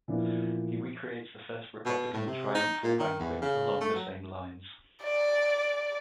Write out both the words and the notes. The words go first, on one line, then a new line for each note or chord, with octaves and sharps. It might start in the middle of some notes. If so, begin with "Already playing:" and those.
He recreates the first Republican triumphal banquet along the same lines.
A#2 E3 F3 A#3 B3 D4
B2
A2
C3
D#4
A#2
D#3
E2
C#3
A3
F#3
D5